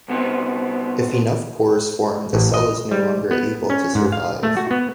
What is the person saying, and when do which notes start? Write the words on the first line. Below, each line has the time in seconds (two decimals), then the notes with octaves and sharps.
If enough pores form, the cell is no longer able to survive.
0.08 C2 B2 B3 C4
2.33 A1
2.54 D#5
2.91 G3
3.31 B3
3.70 C#4
3.95 G#2
4.12 F5
4.43 A3
4.57 F#4
4.71 B3